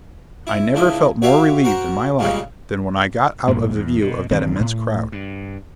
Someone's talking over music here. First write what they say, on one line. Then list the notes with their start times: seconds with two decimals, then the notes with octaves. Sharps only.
I never felt more relieved in my life than when I got out of the view of that immense crowd.
0.47 E4
0.75 C#2 C#3 D4 E4 D#5
1.22 F#4 G4 C#5 E5 F5
1.64 F#4 A#4 C5 F#5
2.19 A#2 C#3 G3 G#3 A#3 C#4
3.48 A#1 G2 A#2 A#3
3.75 E2
4.02 B2
4.31 D#1 D#3 E3 C4
4.60 A2
5.12 G2